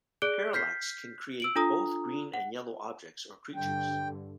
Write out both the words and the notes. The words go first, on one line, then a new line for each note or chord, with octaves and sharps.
Parallax can create both green and yellow objects or creatures.
G#4 D5 F#6 D7 G7
F6 G6 B6 C7
E6 D7 F#7
D4 F4 A4 A#5 D#6
F#5
G2 D3 G5